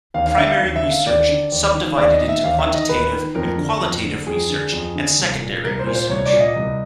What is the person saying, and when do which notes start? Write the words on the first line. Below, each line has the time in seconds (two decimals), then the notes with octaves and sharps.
Primary Research sub-divided into Quantitative and Qualitative research and Secondary research.
0.14 D#2 F5
0.26 F5
0.38 D3 E5
0.48 F5
0.60 D#2
0.76 E5
0.83 D3
0.91 F5
1.06 D#2 D5
1.29 D3
1.52 D#2
1.75 D#3
1.98 D#2 D5
2.14 D#5
2.21 D#3
2.28 E5
2.44 D#2 F5
2.59 E5
2.66 D#3
2.74 D#5
2.89 D#2 B4
3.13 D#3
3.35 F2 A#4
3.58 D3
3.80 F2
4.04 D3
4.27 F2 G#4
4.50 D3
4.72 F2
4.96 D3
5.19 C2
5.41 A#2
5.64 C2 A#4
5.79 C5
5.87 A#2
5.95 C5
6.09 C2 C#5
6.26 D5
6.33 A#2
6.40 D#5
6.56 C2